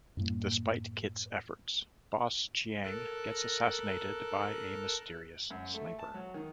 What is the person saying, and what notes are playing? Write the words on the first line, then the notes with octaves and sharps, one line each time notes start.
Despite Kit's efforts, Boss Chiang gets assassinated by a mysterious sniper.
F#2 A2 G3 A#3
A4 A#4 F#6
F#2
A3
A5
F#3
D#3